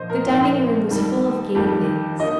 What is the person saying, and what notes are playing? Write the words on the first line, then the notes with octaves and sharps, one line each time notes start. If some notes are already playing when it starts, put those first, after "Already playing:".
The dining-room was full of gay things.
Already playing: A#2 F3 C5 D#5
A#4
A#2 F3 D#4
F2 D#3 G3
F2 D#3 G3 G4
D#3 A#3 D#4 D#5